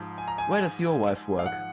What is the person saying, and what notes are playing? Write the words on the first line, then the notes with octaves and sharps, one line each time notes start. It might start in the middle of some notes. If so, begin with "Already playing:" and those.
Where does your wife work?
Already playing: G#2 F3
G#5
A#5
G#5
F5
G#2 F3 F#5